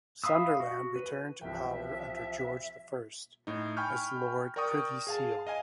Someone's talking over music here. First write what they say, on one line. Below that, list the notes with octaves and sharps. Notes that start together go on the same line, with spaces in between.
Sunderland returned to power under George the First, as Lord Privy Seal.
E5 F5 B5 D#6 E6
F#4
B4
C2 E3 F3 E5 G5
A2 D#4
G5 G#5 B5 C#6 F6 G6
A#4 D5 G5 C#6 D#6
G#4 F5 A5
D#5 F5 G#5 D#7